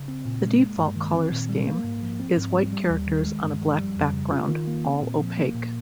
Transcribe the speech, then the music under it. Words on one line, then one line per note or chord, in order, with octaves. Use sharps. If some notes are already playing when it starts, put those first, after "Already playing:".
The default color scheme is white characters on a black background, all opaque.
Already playing: C#3
C4
A#2
G#3
A#3
G2
D#3
C4
A#2
G3
A#3
G#2
F3
C4
G#2
G3
G3
D#2
D#3
G#3
G2
F3
G3
F2
C#3
F4
D#3
A#3
C4
A#2
F3
A#3
A#2